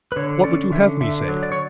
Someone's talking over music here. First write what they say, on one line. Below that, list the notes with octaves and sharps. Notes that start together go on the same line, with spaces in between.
What would you have me say?'
B4
D3 C#5
C#4 D5
D3 E5
D3 E5
F#3
D5
C#5